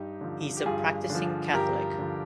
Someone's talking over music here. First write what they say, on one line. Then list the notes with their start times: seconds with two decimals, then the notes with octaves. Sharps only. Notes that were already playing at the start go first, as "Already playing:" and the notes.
He's a practising Catholic.
Already playing: G2 D#4 G4
0.21 D3 F3
0.57 G4
0.66 G2 F4 G#4
1.10 D3
1.15 F3
1.54 G2 G4 A#4
1.98 D3 F3